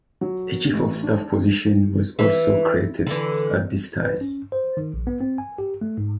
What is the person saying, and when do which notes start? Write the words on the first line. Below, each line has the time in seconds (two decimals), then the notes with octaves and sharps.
A chief of staff position was also created at this time.
0.21 F#3
0.73 A1
1.03 D4
2.19 E3
3.07 D3 E3
4.03 B4
4.21 C#4
4.52 C5
4.77 D#3
4.94 A#1
5.07 B3
5.21 C4
5.38 G#5
5.58 G4
5.81 A3
5.98 G#2